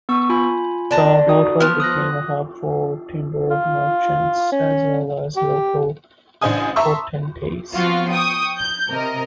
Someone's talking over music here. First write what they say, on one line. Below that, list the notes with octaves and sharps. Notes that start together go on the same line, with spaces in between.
The hotel became a hub for timber-merchants as well as local potentates.
B3 C#6 E6
F4 G#5 B5
D3 A5 A#5
D#4 F#4 D#6
F3 B3 F6
D#6 F#6 A#6
F4
C#4
G4
A1 D4 C5 D#5 G#5 D#6
E5 A5 A#5 C6 C#6 E6
F3 B3 C4 F4 F#4
G5 C#6 D#6
G6
C3 A#4 D#5